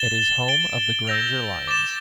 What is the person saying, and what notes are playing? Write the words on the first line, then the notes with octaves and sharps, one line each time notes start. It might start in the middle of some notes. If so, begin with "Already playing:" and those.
It is home of the Granger Lions.
Already playing: A6 E7 G7
A6 D7 G7
E6 G6 A#6 F7
D6 A6 E7 G7